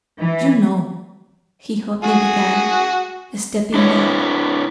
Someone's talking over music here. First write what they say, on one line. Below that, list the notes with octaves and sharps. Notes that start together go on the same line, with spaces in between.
"You know!" he hotly began, stepping back.
E3
F#4 G#4
D4 E4 B4 C#5